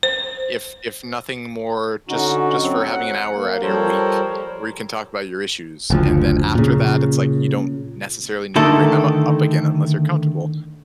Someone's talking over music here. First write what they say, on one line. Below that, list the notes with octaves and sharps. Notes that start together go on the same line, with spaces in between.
If if nothing more, just just for having an hour outta your week, where you can talk about your issues and then after that, it's like you don't necessarily need to bring them u up again unless you're comfortable.
C5
D3 C#4 D#4 F#4
F#3 C4
F#5
A#3
F3 G3 A4 A#4 C5 C#5
F#1 D2 F3
A#2 C#3
D3 D#3 A3 A4